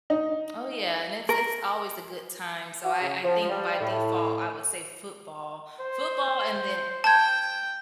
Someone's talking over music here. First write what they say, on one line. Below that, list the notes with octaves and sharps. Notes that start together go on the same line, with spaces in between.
Oh, yeah and it's it's always a good time so, I I think by default, I would say football. Football and then
D#4
A#4
F#4
C#3
F3
G3
A2
C5
G5 A5 G#6